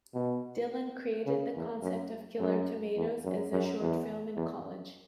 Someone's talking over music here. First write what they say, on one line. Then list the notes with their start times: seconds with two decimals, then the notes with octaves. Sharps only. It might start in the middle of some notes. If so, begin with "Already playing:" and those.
Dillon created the concept of Killer Tomatoes as a short film in college.
0.14 B2
1.26 C#3
1.55 E2
1.83 F#2
2.40 F#2
2.96 E2
3.24 F#2
3.52 F#2
3.81 E2
4.36 E2